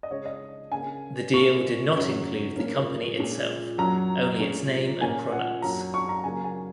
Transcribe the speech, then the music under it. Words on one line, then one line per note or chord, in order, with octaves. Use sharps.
The deal did not include the company itself, only its name and products.
D#5
C#3 G#3 C#4 C#5
D#5
C#3 A#3 C#4 G#5
A#2 A#3 C#4 C#6
F#2 C#3 F#3 C#4
A#2 A#3 C#4
A#2 G#3 C#4
F#2 F#3 C#4 A#5
A#2 G#3 C#4
A#2 A#3 C#4 G#5
F#5
F#2 F#3 C#4 A#5
C#6
A#5
C#3 F#3 A#3 G#5
G#5